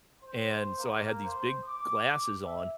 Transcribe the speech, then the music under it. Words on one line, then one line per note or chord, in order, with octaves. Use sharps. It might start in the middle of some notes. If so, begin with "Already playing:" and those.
And so I had these big glasses on.
C5
A#3
C5
D6
E5